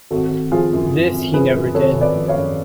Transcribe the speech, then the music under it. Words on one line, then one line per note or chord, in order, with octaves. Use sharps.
This he never did.
G#1 F#4 A4
G#1
F3 F4 G#4
F#2
G#1
G#1
F3 G#4 B4
F#2
G#1 A4 C#5
G#1
B4 D5
F3
C#5 F5
F#2